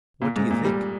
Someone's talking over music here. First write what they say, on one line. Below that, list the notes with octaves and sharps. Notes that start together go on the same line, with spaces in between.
What do you think?
A#2
G#2
A#2
G3